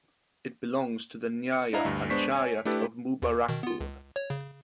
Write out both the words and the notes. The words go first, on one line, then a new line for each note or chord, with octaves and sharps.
It belongs to the nyaya panchayat of Mubarakpur.
C#7
D4 E4 D#5 F5 A#5
D2 G2
G#3 B3 D4 C5 C#6 B6
C#5 G#5
A3 D4 E4 G4 A4 B4
D#2
B2 D#3
B3 F4
C#2
C#5
C#3